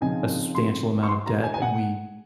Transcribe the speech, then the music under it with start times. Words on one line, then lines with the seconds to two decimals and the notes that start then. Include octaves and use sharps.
a substantial amount of debt, and we
0.01 C#3 F3 C4 D#4 G#5
0.55 C6
1.03 C#6
1.09 C6
1.26 A#5
1.44 G#5
1.54 G#5
1.62 F#5